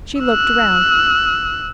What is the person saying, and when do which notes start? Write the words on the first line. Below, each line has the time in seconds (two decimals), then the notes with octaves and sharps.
She looked around.
0.21 E6 F#6